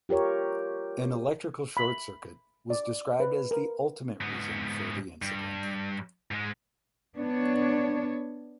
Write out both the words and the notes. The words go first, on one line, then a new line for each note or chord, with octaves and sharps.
An electrical short circuit was described as the ultimate reason for the incident.
F4 G4 A#4 C#5
B5
D5
B4
A#4
G#2 B3
G2
G#2 G#3
B3 D4 C#5